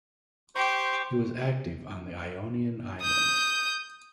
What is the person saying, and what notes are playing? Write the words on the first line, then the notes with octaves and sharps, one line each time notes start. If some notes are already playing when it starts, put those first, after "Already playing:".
He was active on the Ionian islands.
G4 C5 C#6
D#6 G6